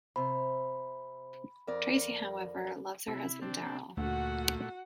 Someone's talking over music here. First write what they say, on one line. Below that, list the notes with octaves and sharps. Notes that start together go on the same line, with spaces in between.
Tracey, however, loves her husband, Darryl.
C3 C5 B5
F2 A#4 D5
C3 E4
C4 D4
D2 A#2 A3 F#4 F#5